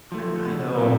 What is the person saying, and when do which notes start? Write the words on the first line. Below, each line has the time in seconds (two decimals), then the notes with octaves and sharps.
I I know.
0.12 F3 A3
0.45 B2
0.78 F#3 A3 C4 E4